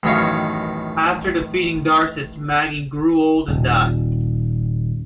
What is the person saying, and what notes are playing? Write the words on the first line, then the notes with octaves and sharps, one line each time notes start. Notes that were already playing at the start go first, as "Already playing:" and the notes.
After defeating Darces, Magi grew old and died.
A1 F#2 B2 D#3 C#5 F5
D#1